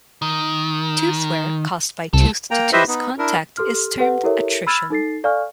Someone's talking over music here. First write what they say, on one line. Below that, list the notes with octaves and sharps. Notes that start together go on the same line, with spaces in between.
Tooth wear caused by tooth-to-tooth contact is termed attrition.
D#3
C2 A#3 A4
A#3 G5 A#5
E4 G4 B4 C5 D#5 E5
B3 D#4
D4 E4 A#4
G4 A4 C6 F6
G4 A4 B4 F#5
E4 G4 A4 A#4 C#5 E5
B5 E6 F6 G#6 A6
D#4 A4 A6 C7
A4 D5 F5 G#5 C#6 F6